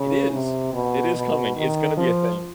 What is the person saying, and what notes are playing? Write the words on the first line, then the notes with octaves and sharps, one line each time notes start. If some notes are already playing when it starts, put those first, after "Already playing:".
It is. It is coming, it's gonna be a thing.
Already playing: C#3
C3
B2
B2
D#3
F3